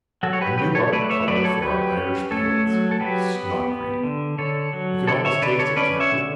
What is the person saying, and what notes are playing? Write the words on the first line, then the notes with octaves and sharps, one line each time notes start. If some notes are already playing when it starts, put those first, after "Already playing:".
A new art colour for our Irish poets: snotgreen. You can almost taste it, can't you?
F#3 F#4 A4
C#5
G4 B4
F#3 G4 B4
A4 C#5
A3 B4 D5
C#5 E5
F#3 B4 D5
A4 C#5
F#3 G4 B4
C#4
A3 A4 C#5
F#3
A4
F#3 G4 B4
B3
B3
D3
D3 A4 C#5
F#3
D3 A4 C#5
C#5 E5
D3 B4 D5
A4 C#5
C#4 B4 D5
C#5 E5
D3